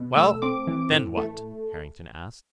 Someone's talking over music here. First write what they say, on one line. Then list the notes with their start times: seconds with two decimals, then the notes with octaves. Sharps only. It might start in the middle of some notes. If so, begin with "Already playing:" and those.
"Well, then what?" Harrington asked.
Already playing: B2
0.17 A3 E6
0.42 C4 D6
0.67 E3
0.92 A2
1.17 A3